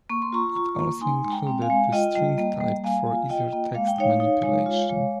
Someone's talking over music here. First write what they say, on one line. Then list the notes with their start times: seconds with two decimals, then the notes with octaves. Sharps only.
It also included the string type for easier text manipulation.
0.10 A#3 C#6
0.22 C6
0.33 F4 A#5 C#6
0.56 F4
0.79 A#3
1.01 D#4 G#5 C6
1.25 G#3
1.32 G5 A#5
1.47 C4
1.62 F5 G#5
1.70 G#3
1.93 F4 D#5 G5
2.15 G3
2.38 A#3
2.60 G3
2.84 A#3 F5 G#5
3.06 F4
3.29 F4 D#5 G5
3.53 A#3
3.74 G#3 F5
3.87 G5
3.98 D#4 C#5 F5
4.20 D#4
4.43 G#3
4.66 F4
4.89 G#3